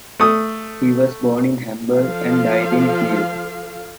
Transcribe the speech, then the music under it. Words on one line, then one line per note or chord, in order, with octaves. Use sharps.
He was born in Hamburg and died in Kiel.
A3 D#6
F3 A4 F5